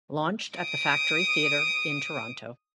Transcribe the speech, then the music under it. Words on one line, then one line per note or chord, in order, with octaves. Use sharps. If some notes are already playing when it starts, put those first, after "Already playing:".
Launched at the Factory Theatre in Toronto.
D#6 D7